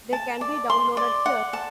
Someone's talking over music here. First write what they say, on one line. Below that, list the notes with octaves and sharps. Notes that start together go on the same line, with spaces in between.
They can be downloaded here.
A5
D5
C6
D5
F#5
A5